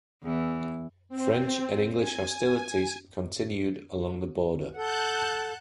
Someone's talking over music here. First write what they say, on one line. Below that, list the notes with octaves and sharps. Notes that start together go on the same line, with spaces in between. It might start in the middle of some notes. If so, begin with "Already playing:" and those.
French and English hostilities continued along the border.
E2 E3
C4
G#5
A4 F#5 A5 F#6 G6